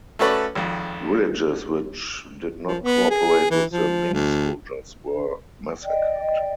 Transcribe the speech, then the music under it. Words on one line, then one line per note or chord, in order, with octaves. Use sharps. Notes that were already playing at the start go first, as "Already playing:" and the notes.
Villages which did not cooperate with the Ming soldiers were massacred.
A3 C#4 F#4 A4 B4 D5
G#1 F2
F3
B3
G#4
E3
F3
D2
D5 D#5 G5